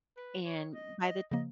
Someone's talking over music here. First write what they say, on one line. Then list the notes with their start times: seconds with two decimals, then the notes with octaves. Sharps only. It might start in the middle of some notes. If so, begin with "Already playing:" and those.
and by the
0.17 B4
0.45 C#5
0.74 D#5
1.03 D#5
1.31 C#3 F3 A#3 D#5